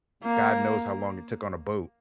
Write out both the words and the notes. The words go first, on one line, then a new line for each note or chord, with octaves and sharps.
god knows how long it took on a boat.
A#3